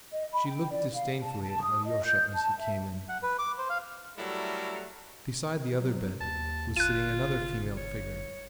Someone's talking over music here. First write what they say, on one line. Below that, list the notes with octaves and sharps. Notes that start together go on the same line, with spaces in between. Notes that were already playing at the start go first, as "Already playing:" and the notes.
She looked disdainfully at Alyosha as he came in. Beside the other bed was sitting another female figure.
D#5
B5
G5
D5
F5
A5
A5
D#6
D#5
G6
A5
E5
F#5
B4
D6
C5
F5
F#3 G3 A3 E4 A4 A#4
F#3
D#2 A5
G1 F4 F#6 D#7
C#5